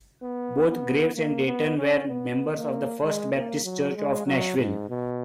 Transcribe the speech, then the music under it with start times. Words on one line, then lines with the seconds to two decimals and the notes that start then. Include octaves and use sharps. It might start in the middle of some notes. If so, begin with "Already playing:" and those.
Both Graves and Dayton were members of the First Baptist Church of Nashville.
0.22 B3
0.69 B3
1.16 A#3
1.46 B3
1.77 C#4
2.08 B3
2.55 A#3
3.03 G#3
3.33 A#3
3.64 F#3
3.96 G#3
4.27 F#3
4.57 G#2
4.89 B2